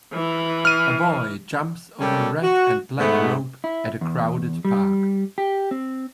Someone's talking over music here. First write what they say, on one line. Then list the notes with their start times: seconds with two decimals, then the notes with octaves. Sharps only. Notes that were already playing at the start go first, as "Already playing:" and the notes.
A boy jumps over a red and black rope at a crowded park.
0.13 E3
0.65 F6 D#7
2.00 G3 G#3 A#3 C#4 G4 A4
2.43 F#4
2.98 G#2 A3 B3
3.64 E4
4.01 E2
4.65 G3
5.38 G4
5.71 C4